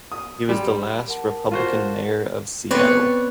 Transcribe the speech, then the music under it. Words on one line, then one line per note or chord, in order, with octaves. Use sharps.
He was the last Republican mayor of Seattle.
D#6
G3 C6
A#4 F#5 A5
F4 F#4 C5
B3 C4 B4 C#5 D5